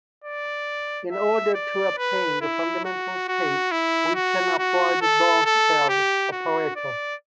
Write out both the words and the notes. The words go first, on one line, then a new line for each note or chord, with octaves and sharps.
In order to obtain the fundamental state, we can apply the down stairs operator.
D5
E5
D5
B4
E4
F#4
F#4
E4
F#4
F#4
A4
A4
G4
F#4
D5